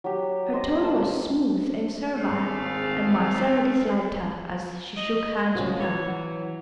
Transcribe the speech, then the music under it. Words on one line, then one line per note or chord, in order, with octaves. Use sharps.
Her tone was smooth and servile, and Marcella disliked her as she shook hands with her.
F#3 G4
C5 D#5
A#3 A5
G#1 D#2 A3 C4 G#4 F5
D#5
C#3 F3 F#4
E3 C#5
F#3